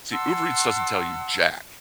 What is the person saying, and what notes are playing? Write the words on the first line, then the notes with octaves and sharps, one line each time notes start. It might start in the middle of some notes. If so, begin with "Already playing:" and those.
See, Uber Eats doesn't tell you jack.
F#5 A5 C6 E6